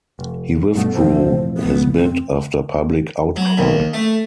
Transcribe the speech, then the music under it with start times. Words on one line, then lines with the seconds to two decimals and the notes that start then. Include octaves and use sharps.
He withdrew his bid after public outcry.
0.19 F1
0.75 G2 B2 A3
0.95 E1 F2 A2 C5
1.58 B3
1.96 C4
3.36 F#3
3.58 D#2
3.94 A3